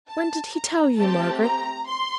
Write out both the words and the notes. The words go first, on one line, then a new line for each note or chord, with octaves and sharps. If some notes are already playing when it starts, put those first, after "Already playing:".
'When did he tell you, Margaret?'
A5
A#5
A3 C4 G4 A5
A#5
C6